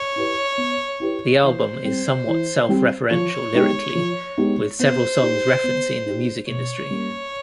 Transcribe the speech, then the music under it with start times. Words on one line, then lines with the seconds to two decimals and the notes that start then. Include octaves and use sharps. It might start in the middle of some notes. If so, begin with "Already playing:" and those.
The album is somewhat self-referential lyrically, with several songs referencing the music industry.
Already playing: C#5
0.16 E4 G4 B4
0.58 B3
1.00 E4 G4 B4
1.42 E3 C5
1.85 G3 C4
2.27 E3
2.69 G3 C4
3.11 F3 C#5
3.53 G#3 B3 D#4 G4
3.95 F3
4.37 G#3 B3 D#4 G4
4.79 B3 C5
5.22 D#4 G4
5.64 B3
6.06 D#4 G4
6.48 B2 C#5
6.91 G3 A#3 C#4